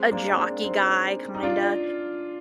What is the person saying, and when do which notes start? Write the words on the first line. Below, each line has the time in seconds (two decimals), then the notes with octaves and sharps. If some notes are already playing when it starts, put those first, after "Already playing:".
a jockey guy kinda,
Already playing: G#3 C4
0.12 A#3 D4
0.31 C4
0.37 A#3 D4
0.64 C4 D#4
1.35 D#4
1.43 D4 F4